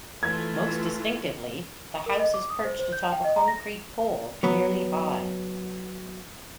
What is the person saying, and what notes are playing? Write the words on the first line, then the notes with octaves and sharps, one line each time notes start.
Most distinctively, the house is perched atop a concrete pole nearly high.
E3 A3 F4 G#6
A#4
D#5
D6
D#6
C5
C5
G6
G5
D#5
A#5
A#6
F#3 B3